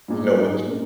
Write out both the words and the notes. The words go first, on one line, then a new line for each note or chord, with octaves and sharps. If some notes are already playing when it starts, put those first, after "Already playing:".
you know, with,
A#1 A#2 G#3
G#2 G#3 D#4 G#4
A#2 G#3 C#4 A#4